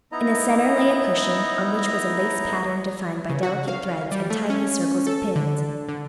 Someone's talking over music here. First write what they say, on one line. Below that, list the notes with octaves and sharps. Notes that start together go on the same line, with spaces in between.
In the centre lay a cushion on which was a lace pattern defined by delicate threads and tiny circles of pins.
B3 D#4 E4 D#5 A#5
C#3
F#4
F5
G3
A3
C#4
A4
D3
D3